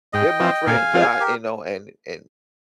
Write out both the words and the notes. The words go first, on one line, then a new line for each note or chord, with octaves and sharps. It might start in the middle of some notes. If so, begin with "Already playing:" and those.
They're my friends. I you know, and and
G#2 D#5 G5
F3 C4
A#2 F5 G#5
F3 C4 F4 G#4
G4 A#4